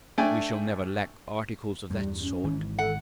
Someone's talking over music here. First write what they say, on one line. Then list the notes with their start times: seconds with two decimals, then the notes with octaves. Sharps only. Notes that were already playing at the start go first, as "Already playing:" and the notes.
"We shall never lack articles of that sort."
0.18 A3 D4 G5 G#5
1.90 E2 G2 G3
2.21 C#4
2.44 G#1 D#3 E3
2.79 A4 F#5